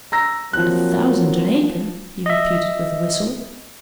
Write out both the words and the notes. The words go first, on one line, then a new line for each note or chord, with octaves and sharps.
"A thousand an acre?" he repeated with a whistle.
A#5 E6 A#6
F3 F#3 A#3 C4 F#6
D#5 E5